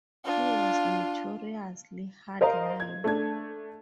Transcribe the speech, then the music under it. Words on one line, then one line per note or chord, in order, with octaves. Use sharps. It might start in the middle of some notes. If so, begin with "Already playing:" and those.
He was notoriously hard line.
D4 F4
A#4 C5 D#5 F5 A#5
G#6
A3 D4 G#6